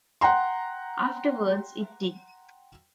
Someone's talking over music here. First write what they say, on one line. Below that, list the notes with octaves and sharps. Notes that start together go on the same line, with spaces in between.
Afterwards It Did.
F#5 G5 A#5 C6